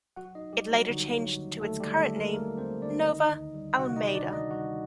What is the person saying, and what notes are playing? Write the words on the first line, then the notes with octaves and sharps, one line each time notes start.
It later changed to its current name, Nova Almeida.
F#3 F#4 F#5
D#4 D#5
D#2
G3 G4
D#2
F#3 F#4
D3 D#4
F#3
D#2
D#2 A3 A4
G3 G4
D3
A3 A4
F#3
A#3 A#4
D#2 A#3 A#4
D#2 C4 C5
D3 D4 D5
D#3 D#4 D#5
D2
G3
C3 F#4 F#5
D#4 D#5
D#3
D4 D5
D2
D#4 D#5
G3 F#4 F#5